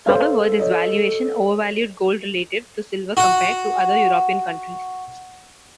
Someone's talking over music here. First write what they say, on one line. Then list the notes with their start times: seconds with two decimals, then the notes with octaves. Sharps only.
However, this valuation overvalued gold relative to silver compared to other European countries.
0.06 A4 C5 C#5 F5
0.60 C#5 D#5
3.17 F#4 F#5